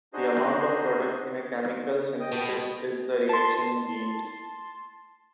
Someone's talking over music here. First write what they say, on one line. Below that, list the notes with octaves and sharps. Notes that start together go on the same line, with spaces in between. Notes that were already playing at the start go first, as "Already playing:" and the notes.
The amount of product in a chemical synthesis is the reaction yield.
D4 D#4 F#4 G#4 C5 D#5
D#5 G5 D#6
B2 B3 G5 A5
G#3
A5 C6